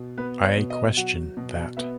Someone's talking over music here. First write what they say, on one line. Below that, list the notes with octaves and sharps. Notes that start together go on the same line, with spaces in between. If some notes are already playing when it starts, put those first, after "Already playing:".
I question that.
Already playing: B2
B3 B4
C#5
B2
D#5
F#3 F#5
B2
B3 E5